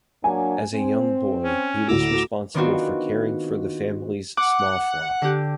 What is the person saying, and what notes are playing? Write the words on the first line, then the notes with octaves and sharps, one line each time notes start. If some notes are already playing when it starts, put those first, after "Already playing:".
As a young boy, he was responsible for caring for the family's small flock.
F#3 A#3 D4 G#5
C4
C#4
D2 A2 A#5 D6 E6
D#3 B3 C4 D4 F4 F#4
F#5 D6
D3 G4